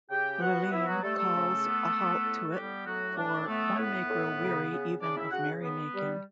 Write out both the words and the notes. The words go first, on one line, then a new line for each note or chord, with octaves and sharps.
Lurlene calls a halt to it, for "one may grow weary even of merrymaking".
C#3 G4 G5
B3 F#4 F#5
B3 E4 E5
F#3 F#4
G3 A3 A4
A3 A4
C#3
B3
B3
A2
F#4
G3 B3 G4
A2 F#3 F#4
A2 D4
A3 B3 A4
C#5
A2 B3 B4
A2
C#3
C#3
C#3 D4 D5
E4 E5
C#3 F#4 F#5
B3
G3